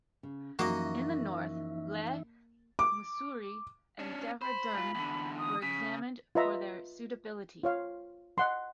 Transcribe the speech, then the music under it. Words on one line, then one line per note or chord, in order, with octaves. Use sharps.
In the north, Leh, Mussoorie and Dehra Dun were examined for their suitability.
C#3
F#2 E3 F3 A#3 D#4 F#4 D#5 E5
D6
C#4 D4
C5 B5
G#2 F4
E2 D3
D#6
C#3 B6
F4 B4 D#5 E5 A#5
F4 C#5 F5
D#5 F#5 C6